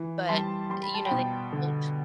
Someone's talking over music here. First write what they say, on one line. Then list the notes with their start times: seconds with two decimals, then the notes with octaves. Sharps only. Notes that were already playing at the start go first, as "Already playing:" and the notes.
but, you know, they mulch?
Already playing: E3
0.29 G3 A5 C6
0.70 G3 C6
0.83 B5
0.94 A5
1.05 G5 B5
1.11 B2
1.53 D3